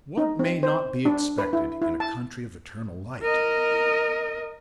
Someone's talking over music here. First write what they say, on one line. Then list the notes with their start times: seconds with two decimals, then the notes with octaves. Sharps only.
What may not be expected in a country of eternal light?
0.17 D#4
0.39 C4
0.63 C5
1.05 D4
1.38 B4
1.53 E4
1.82 E4
2.00 A5
3.22 A#4 D#5